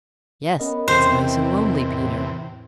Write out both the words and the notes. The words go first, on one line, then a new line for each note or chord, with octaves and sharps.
"Yes; it's nice and lonely, Peter."
B3 C#4 A#4 D#5
E2 C3 C4 C5
A2